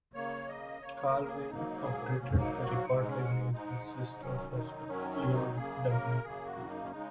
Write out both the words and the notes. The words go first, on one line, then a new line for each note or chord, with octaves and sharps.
Carl Wayne operated the record label with his sister's husband, Leon Dudley.
C#3 A#3 C#5
D#5
C#3 A#3 C#5
C#5
A#4
G#4
G#2 F#3 A#3 D#4
G#4
G#2 F#3 A#3 C#4
D#4
F#4
G#2 G#3 D#4
D#4
C#4
G#2 G#3 D#4
D#4
F#2 D#3 F#3 C#4
D#4
F#2 D#3 F#3 C#4
C#4
D#4
F#2 C#3 A#3 G#4
A#4
F#2 C#3 A#3 G#4
F#4
D#4
C#4
C#3 G#3 D#4